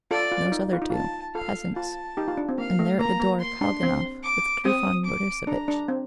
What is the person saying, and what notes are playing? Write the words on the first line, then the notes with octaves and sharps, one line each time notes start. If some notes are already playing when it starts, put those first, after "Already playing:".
And those other two ... peasants.... And there at the door Kalganov with Trifon Borissovitch....
F4 A4 D5
F4
F4
D#4
F4
D#4
F4 A5
F4 A4 F5
F4 A5
D#4 G4
F4
D4
C4
A#3 F5
A3
A#3 A#5
A#3
C6
D4
C4
D6
C4 D#6
D6
D4 A#5
D4
C4